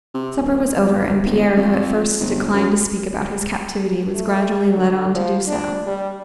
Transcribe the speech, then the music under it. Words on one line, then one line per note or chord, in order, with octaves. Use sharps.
Supper was over, and Pierre who at first declined to speak about his captivity was gradually led on to do so.
C3
D1
G1
G1
F2
G1
F#2
A3
D3
F3
D4
G3